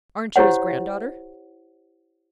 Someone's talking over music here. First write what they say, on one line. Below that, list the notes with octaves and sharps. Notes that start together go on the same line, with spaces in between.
"Aren't you his granddaughter?"
E4 G4 C5 C#5 F#5